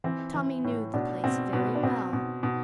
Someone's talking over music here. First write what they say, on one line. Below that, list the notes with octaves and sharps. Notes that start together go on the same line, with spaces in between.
Tommy knew the place very well.
E3 C4
E3
A2
B2 D4
B2 C4
B2 B3
D4
B2 C4
B2
B2